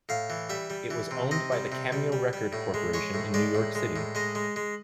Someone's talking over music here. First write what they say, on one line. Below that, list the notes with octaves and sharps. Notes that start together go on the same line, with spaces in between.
It was owned by the Cameo Record Corporation in New York City.
A2 F5
E3
G3 E5
G3
E3
C3
C3 D#5
G3
C3
G3
G3
G3
A2
G#3
G#3 C#5
A2
G#3 D5
A2
G#3
A2
G#3 D#5
G#3
G#3